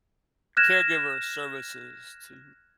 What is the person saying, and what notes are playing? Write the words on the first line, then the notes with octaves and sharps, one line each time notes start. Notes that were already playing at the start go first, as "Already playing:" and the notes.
caregiver services to
F6 F#6 G#6 A#6 E7